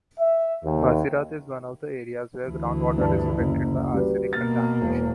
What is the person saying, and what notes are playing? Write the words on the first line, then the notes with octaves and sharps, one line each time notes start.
Basirhat is one of the areas where ground water is affected by arsenic contamination.
E5
D#2
D2 E3
G2 B4 A5
F#1
G3 F#4 B4
B2 A#3 F6 A6
E1